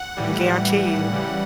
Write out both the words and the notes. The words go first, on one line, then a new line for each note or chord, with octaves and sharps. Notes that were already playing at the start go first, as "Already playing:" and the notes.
I can guarantee you,
Already playing: F#5
A2 E3 G3
C#3 E3 G3